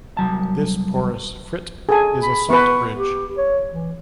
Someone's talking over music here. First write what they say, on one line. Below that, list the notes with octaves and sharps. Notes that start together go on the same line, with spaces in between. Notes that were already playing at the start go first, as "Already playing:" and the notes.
This porous frit is a salt bridge.
C2 G2 F#3 A5
G#4 A4 G#5
B5
B3 B4 C#6
G4
C#5
E3